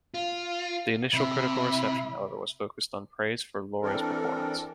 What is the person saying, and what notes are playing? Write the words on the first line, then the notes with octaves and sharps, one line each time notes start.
The initial critical reception, however, was focused on praise for Lorre's performance.
F4
C3 E4
E3 C4 D4 A4 A#4